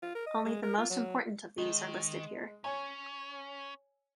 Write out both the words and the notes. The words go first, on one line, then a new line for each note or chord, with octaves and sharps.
Only the most important of these are listed here.
F4
A#4
D#5
G#3
A#4
F4
F#3
D#3 G#3
C#4 C#5 G#5